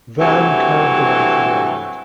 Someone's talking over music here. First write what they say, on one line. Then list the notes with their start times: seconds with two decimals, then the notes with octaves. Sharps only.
Verne curved away from land.
0.19 G2 C3 E3 F#3 A3